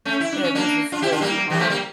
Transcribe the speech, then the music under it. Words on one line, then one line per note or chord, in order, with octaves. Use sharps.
eh, this is way too hot."
A3 C#4
E4
D4
C#4
A#3 D4
D4 F4
E4 G4
D4 F4
G3 A#3
E3 G3
F3 A3
G3 A#3